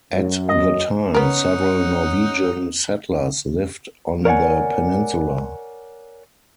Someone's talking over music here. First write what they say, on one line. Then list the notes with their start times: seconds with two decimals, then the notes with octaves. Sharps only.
At the time, several Norwegian settlers lived on the peninsula.
0.12 F#2
0.48 D#5
1.14 B3 C#4 D#4 A#4 C#5 F#5
4.25 A#4 C#5 D5 F5 F#5 G#5